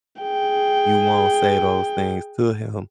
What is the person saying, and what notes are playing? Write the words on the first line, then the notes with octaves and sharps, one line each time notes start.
you won't say those things to him,
G#4 G5